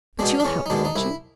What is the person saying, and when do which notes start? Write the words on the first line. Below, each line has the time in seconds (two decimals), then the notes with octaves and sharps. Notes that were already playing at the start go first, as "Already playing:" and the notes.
But you'll help me, won't you?
0.19 B2 G#3 D4
0.40 D4
0.45 E2 C#4
0.66 D#4
0.70 B2 G#3 D4
0.85 D#4
0.96 C2 E4